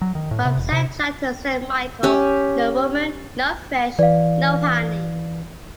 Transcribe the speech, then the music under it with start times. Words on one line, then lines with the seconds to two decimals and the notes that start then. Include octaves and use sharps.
From Saint John to Saint Michael, no woman, no fish, no honey.
0.01 F#3
0.15 D#3
0.31 A2
0.45 C3
0.58 E1
0.72 C3
2.03 C#4 G4
3.99 E3 D5 F5